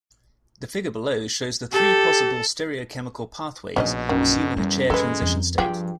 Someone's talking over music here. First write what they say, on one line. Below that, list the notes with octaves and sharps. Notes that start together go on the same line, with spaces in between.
The figure below shows the three possible stereochemical pathways, assuming a chair transition state.
G4 A4
A#1 B2 C#4 D5 D#5
F#2 D#3
E2 G3
E3 G#3 A4 B4
F2
G2 F3 F4 G4 G#4